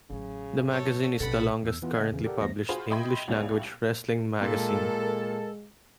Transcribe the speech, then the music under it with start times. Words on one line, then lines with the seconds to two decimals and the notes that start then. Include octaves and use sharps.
The magazine is the longest currently published English language wrestling magazine.
0.10 A1 C#3 F#3
0.71 A4 C#5
1.20 A#1 G2 B2 A4 F#5 B5
1.63 E2 E6
1.82 E3 B3 F4
1.95 C#3 A#3 D#5 F#5 F#6 G#6
2.11 E2 C#3 E3
2.26 G4 A4 A#4 D5 F#5
2.40 E2 A3 C5 A#6
2.69 F4 F#4 G#4 C5 B5
2.90 D#5 E5 G5 B5 C6 G#6
3.28 C#2 G3 B3 E4 C#5 F7
4.41 A#2 G#3 A4 A#4